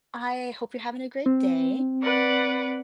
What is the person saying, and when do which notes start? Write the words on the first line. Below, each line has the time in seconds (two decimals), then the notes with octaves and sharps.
I hope you're having a great day.
1.26 C4
2.02 B4 D5 F#5